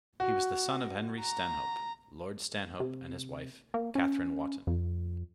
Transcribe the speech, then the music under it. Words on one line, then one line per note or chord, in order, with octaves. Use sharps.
He was the son of Henry Stanhope, Lord Stanhope and his wife, Katherine Wotton.
F#4
A#5
C3
A#3
C#4
F2